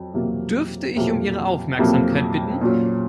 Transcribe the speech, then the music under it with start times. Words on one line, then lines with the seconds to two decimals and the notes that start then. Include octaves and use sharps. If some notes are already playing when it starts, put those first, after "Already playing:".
Dürfte ich um Ihre Aufmerksamkeit bitten?
Already playing: F2 F#3
0.14 F2 C3 F#3 A#3
0.97 F2 C3 F#3 A#3
1.79 F2 C3 F#3 A#3
2.61 A#2 F#3 C#4